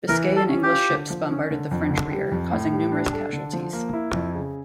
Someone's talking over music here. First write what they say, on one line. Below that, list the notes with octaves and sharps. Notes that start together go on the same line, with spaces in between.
Biscay and English ships bombarded the French rear, causing numerous casualties.
E3 A#4
G3
A4
C#4
G4
F4
D3
F3
C#4
D3
F2
D3
G3
F2
A2
G3
D4
A4
D3
F3
A#3
E4
F2
C#3